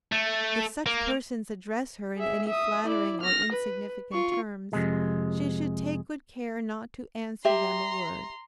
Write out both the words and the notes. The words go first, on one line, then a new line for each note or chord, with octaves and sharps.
If such persons address her in any flattering or insignificant terms, she should take good care not to answer them a word.
A3
A#3
G#4 E5
E5 D#6
E4 D5
F6 A#6
B4
F4 C#6
F2 C3 G#3
G4 E5 A#5 C6